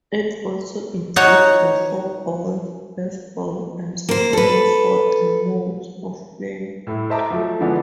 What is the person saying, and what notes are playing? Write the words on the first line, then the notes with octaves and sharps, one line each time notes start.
It also includes the Four Ball, Best Ball, and Stableford modes of play.
D#4 F#4 C#5
A#3 C5
A4 B4
A2 E4
C5 D#5 E5 A5 A#5 D6
F3 F#3 A3
D3 E3 F3 G#3 B3 D4